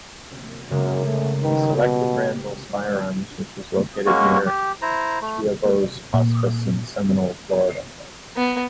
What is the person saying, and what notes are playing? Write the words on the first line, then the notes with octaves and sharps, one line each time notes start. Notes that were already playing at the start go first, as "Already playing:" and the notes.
He selected Randall's Firearms, which was located near Schiavo's hospice in Seminole, Florida.
F#2 C#3 G#3 A#3
A3
D#3 G3 B4
B2
G#3 A#3 C#4 F#4
G4
E4 C5 A#5
A3
A#2
B3